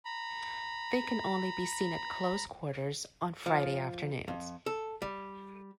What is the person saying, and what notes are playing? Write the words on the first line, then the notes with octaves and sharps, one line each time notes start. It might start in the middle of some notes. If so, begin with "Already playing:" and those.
They can only be seen at close quarters on Friday afternoons.
A#5 B5
F3
F2
A4
G3